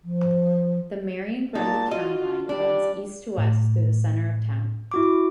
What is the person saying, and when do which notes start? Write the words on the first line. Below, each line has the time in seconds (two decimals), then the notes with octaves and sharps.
The Marion-Grundy county line runs east-to-west through the center of town.
0.04 F3
1.55 A#2 D#4 A5
1.91 F4 F#4 D#5
2.49 G3 D4 D5
3.38 A2
4.91 E4 F#4 D6